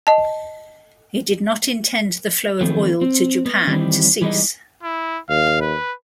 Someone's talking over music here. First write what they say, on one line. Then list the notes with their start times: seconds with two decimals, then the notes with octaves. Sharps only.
He did not intend the flow of oil to Japan to cease.
0.07 D#5 A5
2.61 D#3 F3 F#3 A3 B3 C4
3.01 C4
3.46 B3
3.67 D#3 E3 G3 C4
4.22 E3 G3 G#3 B3 D#4
4.83 E4
5.29 D#2 F5
5.61 B4